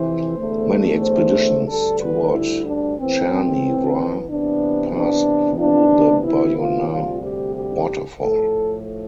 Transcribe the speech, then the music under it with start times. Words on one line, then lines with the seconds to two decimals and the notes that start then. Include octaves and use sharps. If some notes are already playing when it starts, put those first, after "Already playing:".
Many expeditions toward Cherni Vrah pass through the Boyana Waterfall.
Already playing: F2 C3 E3 C5
0.37 E2 D3 A3
1.02 C5
1.67 D2 D3 G3 A4
2.00 B4
2.33 E4
2.66 D4
2.98 A2 E3 B3 C4
4.29 C3 E3 B3 D4
4.94 D4
5.59 C3 E3 B3 D4
6.24 E4
6.57 F4
6.89 D2 C3 G3 F4
7.22 G4
7.55 G4
8.20 A2 F3 A3 A4